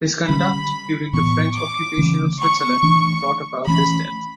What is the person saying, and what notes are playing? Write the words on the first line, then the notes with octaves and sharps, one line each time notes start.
His conduct during the French occupation of Switzerland brought about his death.
D3 G3 C#4 B5
A2 E3 B3 C#6
D6
C#3 E3 A3 C#4
C#6
E3 A3 D4
E3 A3 C#4 B5